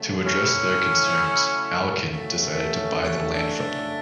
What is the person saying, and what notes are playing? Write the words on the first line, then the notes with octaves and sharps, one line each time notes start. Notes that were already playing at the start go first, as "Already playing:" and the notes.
To address their concerns Alcan decided to buy the land from them.
Already playing: C#3 F#3 A3
C#4 E4
C#3 F#3 A3
C#4
C#4
D4